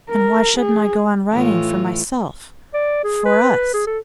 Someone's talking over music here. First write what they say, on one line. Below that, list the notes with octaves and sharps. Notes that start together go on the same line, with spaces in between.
And why shouldn't I go on writing for myself--for us?
A#4
G#4
A2 E3 F4
D5
G#4
B4
G#4
A4